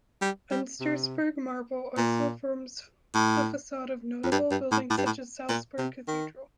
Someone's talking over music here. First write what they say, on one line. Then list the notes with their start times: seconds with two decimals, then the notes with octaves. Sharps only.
Untersberg marble also forms the facade of notable buildings such as Salzburg Cathedral.
0.21 G3
0.51 G3
0.80 C3
1.97 A#2
3.14 A2
4.23 F2
4.31 G2
4.51 G2
4.71 A2
4.90 A2
4.97 G2
5.06 A2
5.49 A#2
5.78 C3
6.07 D#3